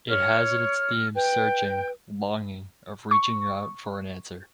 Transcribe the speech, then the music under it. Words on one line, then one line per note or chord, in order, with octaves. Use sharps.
It has in its theme searching, longing, of reaching out for an answer.
C#5 F6
B4 G5
C#6